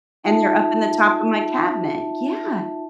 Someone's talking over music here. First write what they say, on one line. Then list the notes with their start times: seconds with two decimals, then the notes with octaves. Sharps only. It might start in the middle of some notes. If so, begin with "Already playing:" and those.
and they're up in the top of my cabinet, yeah
0.24 D#4 F4 E5 A5